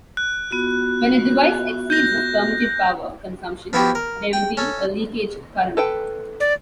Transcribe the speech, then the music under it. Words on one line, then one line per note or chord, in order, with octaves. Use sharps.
When a device exceeds its permitted power consumption, there will be a leakage current.
F#6
B3 F4 F#4
G6 A#6
F3 B3 E4 F#4 G4
A#4
G5
C#4 A4
A4 B4 G5
D5